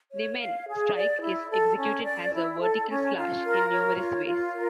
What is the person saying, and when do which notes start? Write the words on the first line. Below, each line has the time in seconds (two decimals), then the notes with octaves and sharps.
The "men" strike is executed as a "vertical" slash in numerous ways.
0.11 C#5
0.39 F5
0.67 G#4
0.95 D5
1.22 E4
1.50 A4
1.78 C#4
2.05 D5
2.33 E4
2.61 A4
2.88 C#4
3.16 F4
3.43 A#4
3.71 C#5
3.99 F4
4.26 F4
4.54 A#4